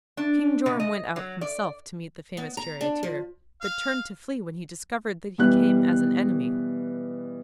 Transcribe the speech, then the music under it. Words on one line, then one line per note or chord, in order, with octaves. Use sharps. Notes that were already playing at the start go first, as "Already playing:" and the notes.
King Joram went out himself to meet the famous charioteer, but turned to flee when he discovered that he came as an enemy.
D4
B2
D#5
F#3
D5
B3
A#5
D4
F3
F5
B2 E3 G3 F#6